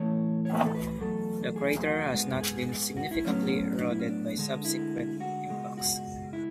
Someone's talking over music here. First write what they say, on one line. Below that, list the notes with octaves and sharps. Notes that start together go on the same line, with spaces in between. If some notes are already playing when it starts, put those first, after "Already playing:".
The crater has not been significantly eroded by subsequent impacts.
Already playing: A2 E3 A3 C#5
C#5
B4
A4
B4
E2 B2 F#3 A3 A4
G#4
F#4
G#2 G#3 B3
G#4
F#4
E4
A2 F#3 B3 C#4
D4
E4
C#4
D4
D2 D3 G#3
E4
F#4
C#2 B2 G#3
F#4
E4